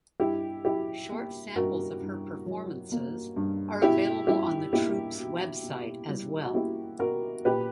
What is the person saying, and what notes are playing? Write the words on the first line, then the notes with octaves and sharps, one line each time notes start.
Short samples of her performances are available on the troupe's website as well.
G2 E4 G4
F#3 E4 G4
A#3
G2 F#4 A#4
G2
F#3
A#3
G2
B2 E4 G4
G3 E4 G4
A#3 E4 G4
B2
B2
G3
F#4
A#3 E4 G4
B2 F#4 A#4
A#2 G4 B4